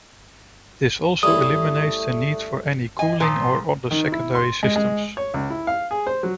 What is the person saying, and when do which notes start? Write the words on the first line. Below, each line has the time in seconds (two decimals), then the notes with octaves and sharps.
This also eliminates the need for any cooling or other secondary systems.
1.23 G3 A3 C#4 E4 D#6
2.99 D#5 G#5
3.20 A#2 F3 C6
3.91 D#3
4.12 E4
4.35 C6
4.63 G#3
4.76 G#3
5.17 C#5
5.34 C#2
5.50 E4
5.67 F5
5.91 G#4
6.07 C5
6.23 F#3